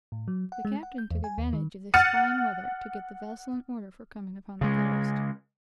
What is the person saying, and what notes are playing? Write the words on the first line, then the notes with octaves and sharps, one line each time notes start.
The captain took advantage of this fine weather to get the vessel in order for coming upon the coast.
A2
F#3
F#5
G#3
F#5
G6
E2
G#5
D#2
D#3
F#5 F6 A6 C#7 D#7
C#3 G#3